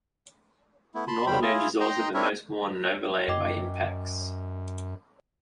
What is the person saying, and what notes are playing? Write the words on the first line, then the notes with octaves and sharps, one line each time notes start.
The northern edge is also the most worn and overlain by impacts.
A3 B3 E4
A5 B5 C6
E2 D#3 G3 C5 G5 B5
E4 F4 G#4
D#4 D#5 G5 A#5 C6
C4 D4 E4 A#4 C#5 E5
F#2 D#5 G5 D6